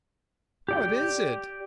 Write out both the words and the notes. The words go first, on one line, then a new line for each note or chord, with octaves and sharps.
"What is it?"
G4 D5 G5